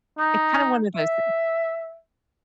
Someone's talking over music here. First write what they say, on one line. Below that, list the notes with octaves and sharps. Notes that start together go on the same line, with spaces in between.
it's kinda one of those thing
D#4
E5